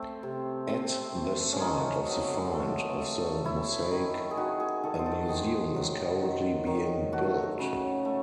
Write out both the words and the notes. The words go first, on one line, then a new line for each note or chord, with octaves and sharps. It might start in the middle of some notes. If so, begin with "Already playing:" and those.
At the site of the find of the mosaic a museum is currently being built.
Already playing: A3 C4
C3
C3 C4
A3
C#4
A3 D#4
F#3
A3
A3
A3 E4
D#3
G#4
D#3 F#4
G#4
D#3 A4
C5
A4
D#3 G#4
F#3
D#3
D#3
A3 F#4
C#3
A3